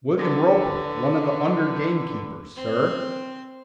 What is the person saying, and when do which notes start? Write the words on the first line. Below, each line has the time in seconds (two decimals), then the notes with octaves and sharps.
"William Roper, one of the under-gamekeepers, sir."
0.18 D3 B4
2.56 C4 C6